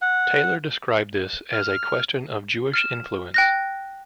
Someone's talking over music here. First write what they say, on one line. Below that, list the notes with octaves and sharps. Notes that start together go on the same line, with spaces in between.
Taylor described this as a question of Jewish influence.
F#5
F6
F6 E7
G5 F#6 A#6